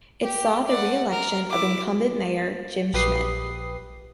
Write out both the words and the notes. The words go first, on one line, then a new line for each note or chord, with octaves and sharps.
It saw the reelection of incumbent mayor Jim Schmitt.
G4
D5 F#5
A#4
E4 D6
A#1 G4 B4 D#6 C7